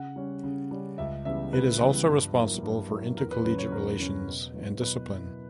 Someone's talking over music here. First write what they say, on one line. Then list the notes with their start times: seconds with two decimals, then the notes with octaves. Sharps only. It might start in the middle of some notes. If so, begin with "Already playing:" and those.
It is also responsible for intercollege-relations and discipline.
Already playing: C#3 F#5
0.16 G3 C#4
0.44 C#3
0.71 G3 C#4
0.98 C#2 E5
1.25 C#3 E3 G3 B3 E5
1.53 C#2 B4
1.80 C#3 E3 G3 B3
2.07 G2
2.35 F#3 A#3 E4
2.63 G2
2.90 F#3 A#3 E4
3.17 E2 A#4
3.31 B4
3.44 C#3 F#3 C#4 B4
3.58 C#5
3.72 E2 A#4
3.99 C#3 F#3 C#4
4.27 B2
4.54 F#3 B3 E4
4.81 B2 B4
5.09 F#3 B3 E4